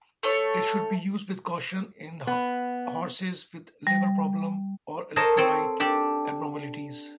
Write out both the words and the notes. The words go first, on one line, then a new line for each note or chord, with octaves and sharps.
It should be used with caution in horses with liver problems or electrolyte abnormalities.
A3 A4 C#5
B3
G3
A4 A#4 C5 C#5 D#5 A5
C4 A4 C#5
D4 G4 A4 D5